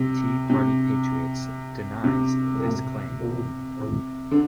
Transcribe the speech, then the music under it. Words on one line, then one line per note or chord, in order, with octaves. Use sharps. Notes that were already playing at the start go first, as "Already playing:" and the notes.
Tea Party Patriots denies this claim.
Already playing: C3
C3
C3
D3